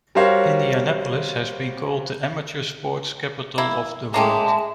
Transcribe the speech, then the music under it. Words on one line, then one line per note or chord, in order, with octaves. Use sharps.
Indianapolis has been called the "Amateur Sports Capital of the World".
G3 F#4 A#4 C5 C#5 F5
A#3 E4
G#3 A#3 C#4 G4 E5 A5